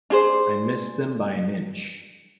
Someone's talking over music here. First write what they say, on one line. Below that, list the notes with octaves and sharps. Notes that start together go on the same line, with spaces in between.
I missed them by an inch.
D4 G#4 C5